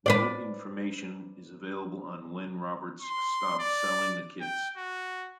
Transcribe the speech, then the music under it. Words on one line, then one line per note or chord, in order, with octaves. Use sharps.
No information is available on when Roberts stopped selling the kits.
B4 C5 D5
C6
D5
G5
F#4